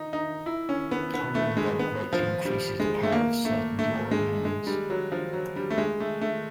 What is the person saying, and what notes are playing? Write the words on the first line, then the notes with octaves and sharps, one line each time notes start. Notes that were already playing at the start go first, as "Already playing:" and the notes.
Holding the bug greatly increases the power of certain drawing hands.
Already playing: D#4
D#4
E4
C#4
B3
B3
A3
G#3
B3
F3
G3
G#3
A3
A#3
A3
A3
G#3
G#3
G3
F#3
F3
F#3
G3
A3
G#3
A3
A3